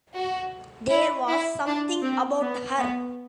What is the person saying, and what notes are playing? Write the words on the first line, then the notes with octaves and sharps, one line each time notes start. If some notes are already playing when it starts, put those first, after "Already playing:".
There was something about her.
F#4
E4
E4
D4
C4
B3
B3